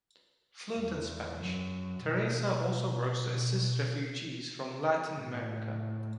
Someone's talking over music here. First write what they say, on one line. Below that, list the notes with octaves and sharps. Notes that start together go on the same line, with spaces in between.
Fluent in Spanish, Teresa also works to assist refugees from Latin America.
E2
F#2
B2
B2
A2